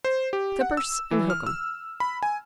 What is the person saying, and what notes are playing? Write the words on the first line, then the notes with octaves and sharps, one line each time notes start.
Clippurse and Hookem.
C5
G4
F#5
E6
E3
F6
E6
B5
G#5